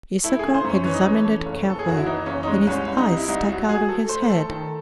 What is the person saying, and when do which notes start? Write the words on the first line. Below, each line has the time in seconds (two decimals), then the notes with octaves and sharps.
Issachar examined it carefully, and his eyes stuck out of his head.
0.24 A3 E4
0.39 C#3 G#4
0.54 C5
0.64 F#2
0.69 C#4
0.85 E3 C#4
0.94 D#4
1.03 E3 C#4
1.25 A3
1.46 F#1
1.66 F#1 A4
1.79 G#4
1.86 F#1 F#4
1.97 E4
2.06 E3 D#4
2.26 F#1 C#4
2.43 D#4
2.47 G#3 C#4
2.67 C2 C#4
2.87 C2
2.98 D#4
3.08 C3
3.17 E4
3.28 C2 D#4
3.48 F#3 F#4
3.68 F#3 G#4
3.89 A3 A4
4.09 A3 C5
4.22 C5
4.30 A3 A4
4.49 D#3 A4